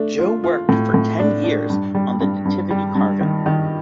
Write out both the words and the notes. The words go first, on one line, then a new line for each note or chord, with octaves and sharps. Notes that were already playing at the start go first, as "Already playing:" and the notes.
Joe worked for ten years on the Nativity carving.
Already playing: A3 D4
F4
F4
A2
A2
D4
D4
G2
G3
G2
G2
G3
G2
D#3
D#3